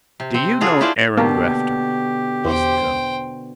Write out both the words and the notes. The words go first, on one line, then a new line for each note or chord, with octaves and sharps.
"Do you know Aaron Grafton?" asked the colonel.
C3
C4
F4 F#4 G#4 A4 C#5
D4 E4 F4 A4 C5 D5
B2 D3 A#3 G4
E2 C5 G5